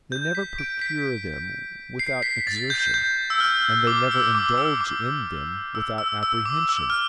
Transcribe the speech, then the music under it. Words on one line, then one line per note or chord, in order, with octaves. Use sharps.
They never procure them without exertion, and they never indulge in them without apprehension.
G6
B6
D7
B6
C7
B6
A6
G6
G6
E6
F6
D6
E6
D6
D6
E6
D6
E6
E6
E6
D6
E6
F6